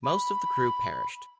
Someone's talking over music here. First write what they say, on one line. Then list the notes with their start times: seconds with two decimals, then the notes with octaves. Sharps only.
Most of the crew perished.
0.04 B5